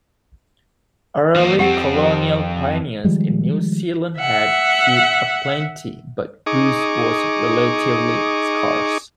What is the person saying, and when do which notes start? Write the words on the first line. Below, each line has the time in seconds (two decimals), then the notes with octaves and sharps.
Early colonial pioneers in New Zealand had sheep aplenty, but goose was relatively scarce.
1.36 E3 A#3
1.59 F2 C4 G4 F#5
3.05 D#3 F3 G3 G#3
4.20 E5 F#5
6.46 D#4 G#4 C#6 D6